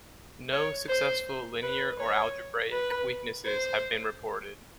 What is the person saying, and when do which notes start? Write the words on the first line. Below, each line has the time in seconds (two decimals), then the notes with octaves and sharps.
No successful linear or algebraic weaknesses have been reported.
0.52 C#5
0.89 C5
1.63 B4
1.99 C#5
2.72 B4
3.46 C5